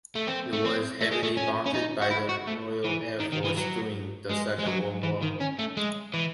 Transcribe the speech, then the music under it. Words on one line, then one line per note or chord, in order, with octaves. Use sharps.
It was heavily bombed by the Royal Air Force during the Second World War.
A3
C4
A3
C4
A3
G#3
A3
C#4
C#4
D#4
F#4
E4
F#4
A3
E3
D#3
D#3
E3
F#3
G#3
G#3
F#3
E3
D#3
C#4
A3
G#3
E3